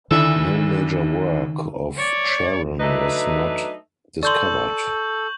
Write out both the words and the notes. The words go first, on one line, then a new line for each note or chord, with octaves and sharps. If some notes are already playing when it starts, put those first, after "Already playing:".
No major work of Sharan was not discovered.
D2 D#3 D4 E4 A4 E5 B5
C#5 D5
F#3 A3 D4 D#4 B4 D#5
A4 D5 C6 C#6 G6 F#7